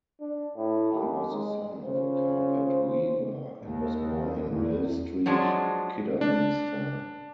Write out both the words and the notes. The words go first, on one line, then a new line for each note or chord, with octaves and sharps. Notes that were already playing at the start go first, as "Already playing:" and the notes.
He was the son of a carpet-weaver, and was born in Mill Street, Kidderminster.
D4
A2
D#2
G#3
C#3 C#4 F4 C5
D#2
E2
F3 F#3 G#3 D4
D4